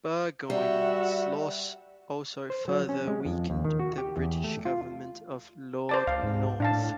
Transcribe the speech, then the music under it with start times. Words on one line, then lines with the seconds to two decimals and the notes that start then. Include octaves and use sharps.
Burgoyne's loss also further weakened the British government of Lord North.
0.50 G3 F#4 E5
2.50 C5
2.68 F#3
2.89 C#4
3.08 G#3
3.25 F2
3.50 D#2
3.65 D#3
3.79 F#4
3.98 G4
4.17 E2
4.44 A3
4.65 F4
5.89 C5 D5 A5
6.07 C#2 F5
6.23 G#2
6.60 A2 D4 F5 A5